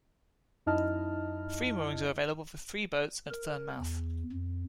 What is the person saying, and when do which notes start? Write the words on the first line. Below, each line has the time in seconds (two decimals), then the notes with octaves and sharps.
Free moorings are available for three boats at Thurne mouth.
0.66 F#2 D#4 E4 D#5 A5 F6
3.30 A#4
3.78 E2
4.32 F2